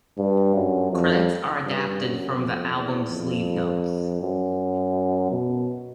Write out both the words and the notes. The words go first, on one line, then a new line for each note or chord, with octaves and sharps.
Credits are adapted from the album's sleeve notes.
G2
F#2
F2
G2
F#2
F2
E2
F2
F#2
B2